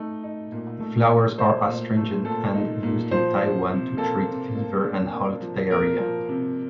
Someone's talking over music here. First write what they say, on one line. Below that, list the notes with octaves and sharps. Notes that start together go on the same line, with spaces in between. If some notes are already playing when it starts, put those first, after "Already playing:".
The flowers are astringent and used in Taiwan to treat fever and halt diarrhea.
Already playing: A3 D#4
D#4
A#2
A3
A#2
A3 C5
A#2
A3
A#2 A4
D#4
A#2
F3 C5
F3
C3
A#3 A4
C3
A#3
D4
A#3
F3
A#3 A#4
F3
C3